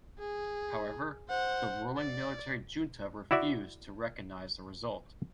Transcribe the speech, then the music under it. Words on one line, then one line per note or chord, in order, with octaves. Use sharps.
However, the ruling military junta refused to recognise the result.
G#4
C5 F#5
D5
E4 F#4 D5 E5